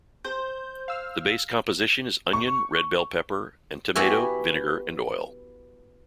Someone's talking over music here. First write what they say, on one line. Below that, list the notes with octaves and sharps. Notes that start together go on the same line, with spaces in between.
The base composition is onion, red bell pepper and tomato, vinegar and oil.
C5 G6
F5 E6 F6
C#6
B3 E4 F#4 G4 E5 G#5